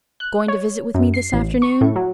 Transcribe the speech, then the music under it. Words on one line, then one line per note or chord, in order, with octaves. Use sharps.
Going to visit with me this afternoon?
F#6
C#5
F#2
C7
A1
C#6
A2
F#3